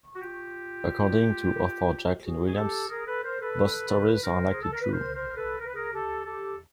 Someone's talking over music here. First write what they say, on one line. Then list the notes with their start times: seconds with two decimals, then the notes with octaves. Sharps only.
According to author Jacqueline Williams, both stories are likely true.
0.14 F#4
0.19 F4 G4
2.21 F#4 G#4
2.46 G#4
2.55 G4 A4
2.88 G#4 A#4
3.06 A4 B4
3.22 A#4 C5
3.40 A4 B4
3.86 A4
3.98 A#4
4.11 B4
4.23 A#4 C5
4.51 G#4
4.61 A4
4.71 A#4
4.80 B4
4.91 A#4 C5
5.13 A#4 C5
5.28 A#4
5.36 A4 B4
5.58 A#4
5.65 B4
5.73 G#4 A#4
5.92 G4 A4
6.25 G4 A4